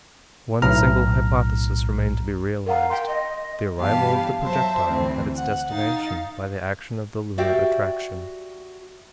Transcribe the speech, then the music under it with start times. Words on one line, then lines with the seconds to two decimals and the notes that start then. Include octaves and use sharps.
One single hypothesis remained to be realized, the arrival of the projectile at its destination by the action of the lunar attraction.
0.62 B1 A2 A#5 F6
2.67 A#4 F5 F#5 A#5
2.90 G5 C6
3.07 D#5
3.79 G2 E3 B3 G4 F5 A5
4.42 F#3 C5 E5 A5
4.87 D2 E3 C4
5.37 F#5
5.71 D#4 F5 A6
7.38 F#4 G4 D5 E5 F5 G5